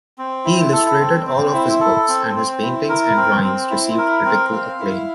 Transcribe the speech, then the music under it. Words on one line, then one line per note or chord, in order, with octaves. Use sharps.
He illustrated all of his books, and his paintings and drawings received critical acclaim.
C4
E4
A4
C4
C4
E4
A4
C4
C4
E4
A#4
C4
C4
E4
A#4
C4
F5
E4